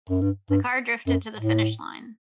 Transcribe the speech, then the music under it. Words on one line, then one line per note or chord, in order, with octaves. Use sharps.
The car drifted to the finish line.
F#2
G2
G2
F#2
A2